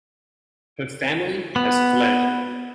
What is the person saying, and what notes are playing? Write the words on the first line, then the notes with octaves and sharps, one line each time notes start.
Her family has fled.
B3